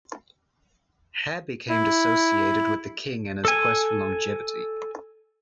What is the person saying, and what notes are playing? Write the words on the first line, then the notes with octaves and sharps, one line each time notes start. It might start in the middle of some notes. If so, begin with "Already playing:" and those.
Heh became associated with the King and his quest for longevity.
E4
A4 G#5